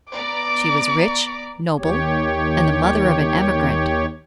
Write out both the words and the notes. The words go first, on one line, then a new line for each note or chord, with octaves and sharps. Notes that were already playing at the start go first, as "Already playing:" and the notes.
She was rich, noble, and the mother of an Emigrant.
B3 D5 A#5 D6
D#2 G4 C#5